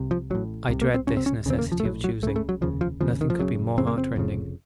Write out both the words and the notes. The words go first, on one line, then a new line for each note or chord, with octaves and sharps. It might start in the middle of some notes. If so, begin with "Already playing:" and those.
I dread this necessity of choosing--nothing could be more heartrending.
Already playing: C2 C3
F3
A1 A2 F#3
C2 C3
A#3
C4
C#2 C3 C#4
C4
C#4
F1 D#2 C#3 C4
A#3
F3
A3
A#1 A2 F#3
F#3
C#2 C#3 A3
A3
F#3
F1 D#2 C#3 F3
F3
F1 D#2 C#3 F3
D#3
F3
F#1 F#2 C#3 F#3
F#1 F2 C#3 C4
A#3
C4
F1 F2 C#3